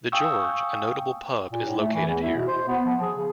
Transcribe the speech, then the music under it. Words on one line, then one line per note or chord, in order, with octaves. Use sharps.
"The George", a notable pub, is located here.
F5 G5 G#5 C#6 D#6 E6
A#2
A2
A3
E3
E2
E4
B2
C5
B3
F3
G#4
C#3